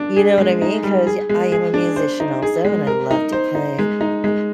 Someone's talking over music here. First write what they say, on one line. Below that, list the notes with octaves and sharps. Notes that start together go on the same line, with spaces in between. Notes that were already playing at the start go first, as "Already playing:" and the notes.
You know what I mean, 'cause I am a musician also, and I love to play,
Already playing: D4
G#4
G#3
D#4
G3
G#4
G#3
G#4
D4
C5
D#4
G#4
G#3
A#4
D#4
C5
D#4
G#3
D#4
G#3